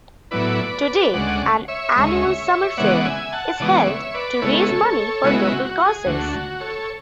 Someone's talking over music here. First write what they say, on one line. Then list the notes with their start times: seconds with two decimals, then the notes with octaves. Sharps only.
Today an annual summer fair is held to raise money for local causes.
0.31 A2 F#3 B3 E4 B4 D5
1.13 D2 C#3 G#3 D5 F#5
1.68 C#5 E5
1.96 D2 C#3 G#3
2.77 C#3 E3 G#3 B3 D5 F#5
3.05 E5 G#5
3.32 F#5 A5
3.60 C#3 E3 G#3 B3 D5 F#5
3.79 F#5
3.87 C#5 E5
4.14 B4 D5
4.42 C#3 G#3 B3 E4 A4 C#5
5.24 C#3 G#3 B3 E4 F#4
5.44 F#4
5.65 F#4
5.85 G#4
6.06 D2 D3 A3 F#4
6.33 F#4
6.61 A4 C#5